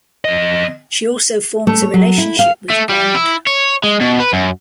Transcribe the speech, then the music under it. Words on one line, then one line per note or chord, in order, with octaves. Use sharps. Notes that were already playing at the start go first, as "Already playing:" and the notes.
She also forms a relationship with Bond.
F2 D#5
A3
C#5
F#3
E4
F5
A3
G3
E4
C#5
G#3
B2
B4
F#2